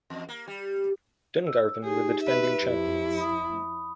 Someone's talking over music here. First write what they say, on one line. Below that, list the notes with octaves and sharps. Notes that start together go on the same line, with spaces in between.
Dungarvan were the defending champions.
E2
A#3
G3
E6
D#4 G4 G#4
B4 E5
F2 E4 G4
B5 D#6